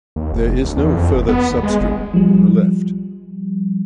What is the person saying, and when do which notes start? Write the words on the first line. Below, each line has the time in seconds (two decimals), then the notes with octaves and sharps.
There is no further substring on the left.
0.16 D#2
0.32 F1
0.63 D2
0.77 E2
0.95 F2
1.14 F#1
1.29 B3
1.51 D#2
1.63 G#3
1.81 G1
2.14 F3 G3